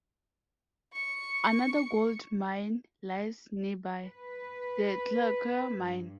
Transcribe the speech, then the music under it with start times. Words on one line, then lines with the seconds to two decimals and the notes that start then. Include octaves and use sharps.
Another gold mine lies nearby, the Clogau mine.
0.93 C#6 C#7
4.05 B4
5.78 G2